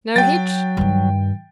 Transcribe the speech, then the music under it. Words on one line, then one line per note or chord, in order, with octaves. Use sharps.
"No hitch?"
F#3 G5 A6
G2 D#3